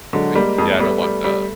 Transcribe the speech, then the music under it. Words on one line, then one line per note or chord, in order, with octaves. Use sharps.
Ugh, yeah, I don't want that.
D3 F#3 G#3
G3 G#3 A#3
F2 G#3 A#3
G3 A3 B3
G3
G3